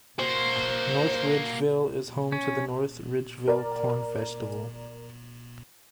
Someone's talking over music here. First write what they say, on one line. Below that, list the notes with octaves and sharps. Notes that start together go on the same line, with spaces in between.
North Ridgeville is home to the North Ridgeville Corn Festival.
A#3 F#4 C5
C#4
A#4 D5